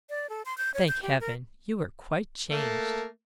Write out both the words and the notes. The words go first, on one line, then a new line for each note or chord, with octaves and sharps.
'Thank heaven, you are quite changed.'
D5
A4
C6
G6
C#5
G6
G4
A#4
A3 A#3